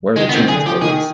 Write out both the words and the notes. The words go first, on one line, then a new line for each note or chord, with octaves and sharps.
Where are the children’s programs?
D#3 G#3
B3
D#3 C4
D3 G#4
F3 G4
D#3 G#4